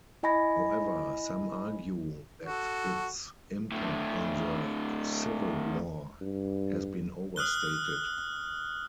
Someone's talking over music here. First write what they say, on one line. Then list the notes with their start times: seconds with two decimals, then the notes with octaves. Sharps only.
However, some argue that its impact on the Civil war has been overstated.
0.23 E4 D#5 G#5 B5 A#6
2.46 F#4 A4
3.72 A2 D3
6.21 G2
7.36 D#6 F6 F#6 G7